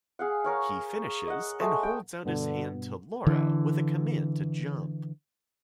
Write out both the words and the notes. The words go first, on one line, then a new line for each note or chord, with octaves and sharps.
He finishes and holds out his hand to Laura with a command to jump.
G#4 F5 F#5
A#4 C#5 F5
D#5 F#5
G#3 A3 G#4
G5
G2 B2 D3 B3
D3 E3